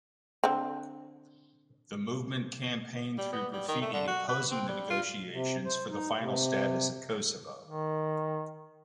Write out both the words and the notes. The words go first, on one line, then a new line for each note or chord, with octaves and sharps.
The movement campaigned through graffiti opposing the negotiations for the final status of Kosovo.
D3 C4
G3
B3
G3
D#3
A3
D3
F#4
B4
C4
G3
F4
C3
C5
D#4
C3
D#3